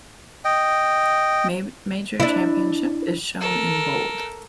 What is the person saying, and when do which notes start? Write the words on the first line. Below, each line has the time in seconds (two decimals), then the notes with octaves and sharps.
Major championship is shown in bold.
0.45 D#5 G5
2.20 D4 E4
3.41 A4 A#4